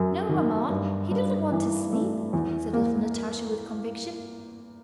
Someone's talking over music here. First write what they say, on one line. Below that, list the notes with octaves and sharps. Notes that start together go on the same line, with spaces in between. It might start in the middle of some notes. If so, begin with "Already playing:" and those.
"No, Mamma, he doesn't want to sleep," said little Natasha with conviction.
Already playing: F#2 F#3
D#3
G2
G2
E3
A3
E2
A#3